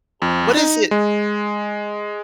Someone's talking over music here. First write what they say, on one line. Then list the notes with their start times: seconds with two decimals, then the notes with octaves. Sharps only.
u what is it
0.22 F2
0.57 D#4
0.91 G#3